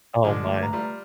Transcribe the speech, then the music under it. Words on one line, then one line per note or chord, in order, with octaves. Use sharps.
Oh, my.
A#2 D3 F3 G#3
A3
B4 A#5
G3 F4